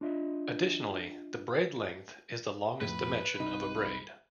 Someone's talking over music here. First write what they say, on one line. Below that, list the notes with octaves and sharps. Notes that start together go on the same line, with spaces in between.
Additionally, the "braid length" is the longest dimension of a braid.
D4 F4 D#5 E5
F2 A2 B4
C2 D#4